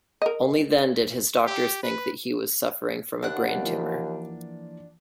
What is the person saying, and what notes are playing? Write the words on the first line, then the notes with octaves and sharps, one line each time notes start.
Only then did his doctors think that he was suffering from a brain tumor.
A#4 D#5
G4
B4
D#2 D4 F#5 F#6
E3 F3 A#3